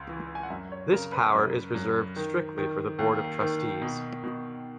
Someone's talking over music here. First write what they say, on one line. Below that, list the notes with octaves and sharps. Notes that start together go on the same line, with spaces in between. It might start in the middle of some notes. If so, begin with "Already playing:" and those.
This power is reserved strictly for the Board of Trustees.
Already playing: C#2
E3
G#5
F#5
F#2 E5
C#5
C#3 A#4
B4
F#2
F#2
D#3
D#3
D#2
D#3
B2
B2